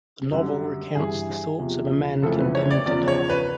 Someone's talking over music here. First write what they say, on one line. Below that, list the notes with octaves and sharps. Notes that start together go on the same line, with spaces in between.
The novel recounts the thoughts of a man condemned to die.
F#2 D3 G3
G2 E3 G3 G#4
E2 C3 F3
F2 C#3 E3 A3 A4
B4
C#5
D5
E2 C#3 F3 D5
C#5
B4